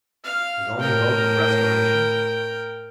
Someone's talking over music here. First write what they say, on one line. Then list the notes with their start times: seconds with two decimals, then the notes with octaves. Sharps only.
His only hope of restoration!
0.24 F5
0.80 A2 A#4 G5